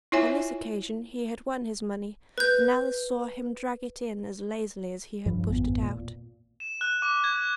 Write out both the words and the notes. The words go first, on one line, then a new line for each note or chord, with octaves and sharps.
On this occasion he had won his money, and Alice saw him drag it in as lazily as he had pushed it out.
E4 F4 C#5 E5 G#5
B4 G6
G2 F3
G#1 F2 B3
A#2
E7
F#6
D6
G#6